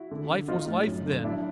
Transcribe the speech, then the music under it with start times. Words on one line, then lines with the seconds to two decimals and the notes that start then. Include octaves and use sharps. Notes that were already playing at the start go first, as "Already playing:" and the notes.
Life was life then!
Already playing: E4 F#4
0.11 D3
0.30 D3
0.48 A1 D#4 F4
0.67 A2
0.86 F#2
1.05 D3
1.23 B1 D4 E4